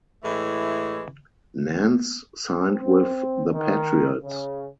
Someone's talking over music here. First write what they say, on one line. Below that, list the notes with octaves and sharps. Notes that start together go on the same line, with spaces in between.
Nance signed with the Patriots.
A2 E3 G#3 A3
C4
D#3
C#3